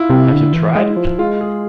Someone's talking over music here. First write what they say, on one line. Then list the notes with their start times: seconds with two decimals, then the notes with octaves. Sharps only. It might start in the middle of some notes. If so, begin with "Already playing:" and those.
Have you tried it?
Already playing: E4 F4
0.10 C3
0.32 D3
0.53 E3
0.75 G#3
0.97 F3
1.19 G#3 F4
1.41 G#4